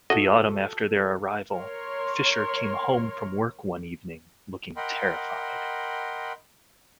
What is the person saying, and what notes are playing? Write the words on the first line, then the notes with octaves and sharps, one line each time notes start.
The autumn after their arrival, Fischer came home from work one evening, looking terrified.
F#3 E4 F#4 A4 D#5
A#4 C#5 C6
A#4 D#5 F#5 G5 B5 C6